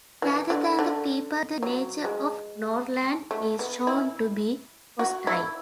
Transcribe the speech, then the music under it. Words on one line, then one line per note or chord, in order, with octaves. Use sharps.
Rather than the people, the nature of Norrland is shown to be hostile.
E3
D3
D3
F#3
G#3
A3
B3
E4
F#4
E4